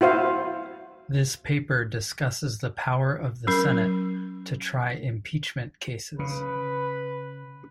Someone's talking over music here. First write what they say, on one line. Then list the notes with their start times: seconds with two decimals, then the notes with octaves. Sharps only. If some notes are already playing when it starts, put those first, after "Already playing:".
This paper discusses the power of the Senate to try impeachment cases.
0.01 E4 F#4 C5 F5
3.47 F#3 C#4 A#4
6.19 C#3 B4